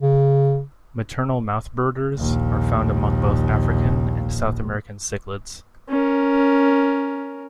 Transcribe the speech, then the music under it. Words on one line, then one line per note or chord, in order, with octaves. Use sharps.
Maternal mouthbrooders are found among both African and South American cichlids.
C#3
A#1 D#2
C#4 A#4